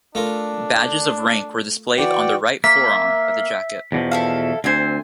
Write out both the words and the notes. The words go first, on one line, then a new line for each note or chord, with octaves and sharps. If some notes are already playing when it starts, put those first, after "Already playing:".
Badges of rank were displayed on the right forearm of the jacket.
A3 D4 F4 A#4
E3 F#4 D5 G5
A#3 E5 B6
E2 B2 F3
E4 A4 F5
D2 C4 C5 G#5